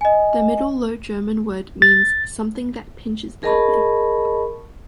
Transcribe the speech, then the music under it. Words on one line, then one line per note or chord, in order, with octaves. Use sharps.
The Middle Low German word means "something that pinches badly".
D#5 G#5
A6
G#4 A#4 D#5 A5 B5 C#6